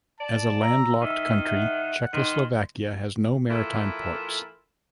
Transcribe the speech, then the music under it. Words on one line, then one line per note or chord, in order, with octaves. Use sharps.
As a landlocked country, Czechoslovakia has no maritime ports.
D5 A5
A#5 E6
D#3 E5
E5 F#5
D#3 C6
E3 A3 E4 F4 A4 A#4